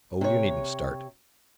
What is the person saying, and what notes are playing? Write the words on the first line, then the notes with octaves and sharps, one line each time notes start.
Oh, you needn't start!
C3 C#5